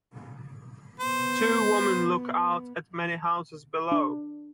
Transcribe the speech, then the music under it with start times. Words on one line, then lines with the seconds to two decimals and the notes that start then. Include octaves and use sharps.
Two women look out at many houses below.
1.00 B3 C5
3.92 D4